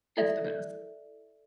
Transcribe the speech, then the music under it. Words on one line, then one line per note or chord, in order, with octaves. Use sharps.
It's the best.
E4 A4 D5 E5